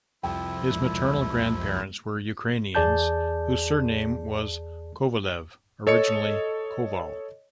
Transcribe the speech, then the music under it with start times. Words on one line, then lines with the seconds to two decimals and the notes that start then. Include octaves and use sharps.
His maternal grandparents were Ukrainians, whose surname was Kovalev, originally Koval.
0.23 C2 F2 F3 E4 G5
0.70 E1
2.75 E2 G#4 D5 A5 G6
5.87 A4 C#5 D#5 C#7